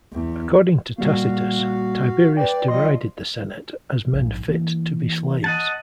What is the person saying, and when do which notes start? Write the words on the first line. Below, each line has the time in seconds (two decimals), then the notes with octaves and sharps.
According to Tacitus, Tiberius derided the Senate as men fit to be slaves.
0.12 E2
0.98 A#2 G3 A#3 F#4 F5
2.37 B4 D5 G5
2.68 F3 G3 D#5 C6
4.13 A#1 G#2
4.48 E3 A#3
5.44 D#5 F#5 A5